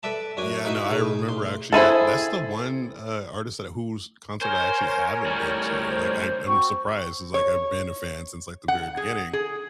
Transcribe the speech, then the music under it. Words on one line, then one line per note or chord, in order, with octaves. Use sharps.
yeah, no, I remember actually, I that's the one, uh, artist that whose concert I actually haven't been to, like, I I'm surprised, 'cause, like, I've been a fan since, like, the very beginning,
A4 B4 D5 E5 A5
F#2 D4 F#4 G#5 D6
D#4 E4 F#4 B4 D#5 E5
B2 D#4 G#4
A1 C6
C4 E4 G#4 A4
A#4 C5 C#5 G#5
A2 G3
C5
C4 F#4 C#6
C#5
F#5
G#4
G#4